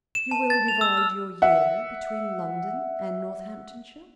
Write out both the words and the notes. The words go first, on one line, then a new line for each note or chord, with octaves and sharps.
"You will divide your year between London and Northamptonshire?"
E7
A5
A6
F7
E6
F6
E5 F#5